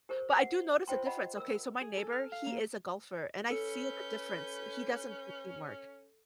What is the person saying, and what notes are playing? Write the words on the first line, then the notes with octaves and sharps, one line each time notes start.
But I do notice a difference, okay, so my neighbor, he is a golfer, and I see the difference. He doesn't do teamwork.
G4 A#4 C5 C#6
F#5
F4 C5 G5 C6
D#5 F#5 B5
A#4 E6
G#4
A4
F6
F5
A#3
C#4 A4 B4 G6 C#7